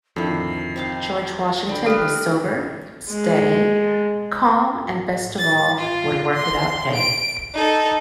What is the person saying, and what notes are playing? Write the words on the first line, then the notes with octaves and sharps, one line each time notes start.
George Washington was sober, steady, calm, and best of all, would work without pay.
F2 D3 D#3 E4 C7
C4 D#4 F5
D3 D5 G5 B5
G4 A4 B4 F6
G#3
A6
F4
C6
D7
D#4 A4